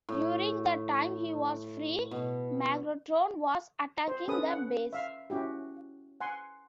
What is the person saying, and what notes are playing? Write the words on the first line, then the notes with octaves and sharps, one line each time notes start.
During the time he was free, Megatron was attacking the base.
A2
B2
C5
C#4 A4 B4 D#6
F#5
E5 F5
C#4 E4 F#4 G4
F#5 G#5 C6